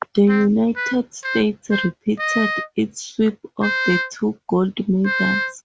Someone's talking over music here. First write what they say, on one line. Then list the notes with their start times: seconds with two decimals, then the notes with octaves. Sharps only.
The United States repeated its sweep of the two gold medals.
0.29 C4
0.76 B4
1.24 C5
1.71 C5
2.19 D#5
3.62 C5
5.05 C5